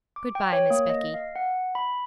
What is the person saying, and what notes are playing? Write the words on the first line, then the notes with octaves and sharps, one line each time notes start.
'Good-bye, Miss Becky.
D6
G5
C#5
A#3
D#5
F5
F#5
B5